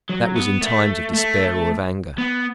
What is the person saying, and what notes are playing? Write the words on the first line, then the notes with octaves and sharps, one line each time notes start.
That was in times of despair or of anger.
F#3
B3
A3
A3
B3